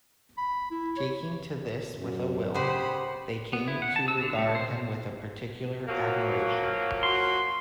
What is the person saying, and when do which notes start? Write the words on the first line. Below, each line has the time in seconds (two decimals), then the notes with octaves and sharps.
Taking to this with a will, they came to regard him with particular admiration.
0.38 B5
0.71 E4
0.97 C#5
1.96 F#2
2.54 C#3 G4 C5 F#5 B5 D#6
3.53 B3
3.68 E4
3.82 F#5
3.96 A5
4.08 E6
4.22 D3
4.39 A3
4.55 C5
5.88 F3 F#3 A#3 F#4
7.03 F#4 C6